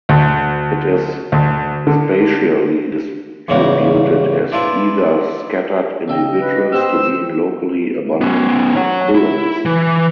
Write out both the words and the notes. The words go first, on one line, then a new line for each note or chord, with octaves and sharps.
It is spatially distributed as either scattered individuals to being locally abundant in occurrence.
D2
D2
D3
E2 G#2 C#3 G3 A#3 C#4
D4 E4 F4 B4 E5
C#3 A4 D#5 G5
B4
B3 G4 C5 E6
B3 C#4
C#5 F#5
E4
E3